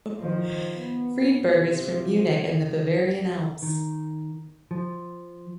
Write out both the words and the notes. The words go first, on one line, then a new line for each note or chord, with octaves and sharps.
Friedberg is from Munich and the Bavarian Alps.
D#3 F3
B3
C3 F3
D#3
F3